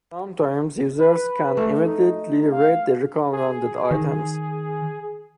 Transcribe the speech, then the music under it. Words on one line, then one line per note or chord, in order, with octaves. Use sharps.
Sometimes, users can immediately rate the recommended items.
B4
A3
D#4
F5
G#4
D#3